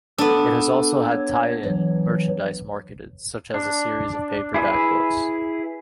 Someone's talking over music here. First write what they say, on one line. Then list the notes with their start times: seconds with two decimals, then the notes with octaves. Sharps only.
It has also had tie-in merchandise marketed, such as a series of paperback books.
0.18 B3 D4 A4
1.12 C#5
1.65 E3 F#3
3.54 D4
4.54 E4 G#4 B4 E5